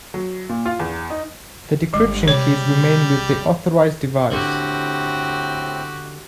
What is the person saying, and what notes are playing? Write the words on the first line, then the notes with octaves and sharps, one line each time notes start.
The decryption keys remain with the authorized device.
F#3
A#2
F4
E2
D#4
G1 G#3
C3 G3 C#5
A2 D3 C4 F#4 G4